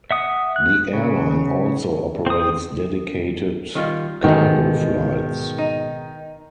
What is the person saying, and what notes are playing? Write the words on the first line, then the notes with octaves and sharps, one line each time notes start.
The airline also operates dedicated cargo flights.
E5 F#5 D#6
F#6
C#3
C4 D#6
D#3 G3 F4
G#2 B2 D#3 E3 G#3 A3
D#4